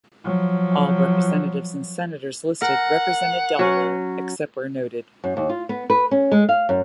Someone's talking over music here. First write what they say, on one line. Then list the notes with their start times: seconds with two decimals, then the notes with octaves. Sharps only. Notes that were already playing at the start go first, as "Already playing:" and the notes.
All representatives and senators listed represented Delaware except where noted.
0.24 F3 F#3
2.62 A#4 F#5
3.59 F#3 C#4
5.24 F#2
5.37 D#2
5.49 F4
5.69 B3
5.90 B4
6.11 C#4
6.32 G#3
6.49 F5
6.69 F#2